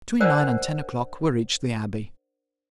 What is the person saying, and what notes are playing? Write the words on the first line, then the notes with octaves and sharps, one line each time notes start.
Between nine and ten o'clock we reached the Abbey.
D4 A#4 C5 D5 F#5